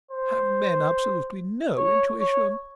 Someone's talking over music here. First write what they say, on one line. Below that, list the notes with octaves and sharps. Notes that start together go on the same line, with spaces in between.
Have men absolutely NO intuition?
C5
C#5
C#5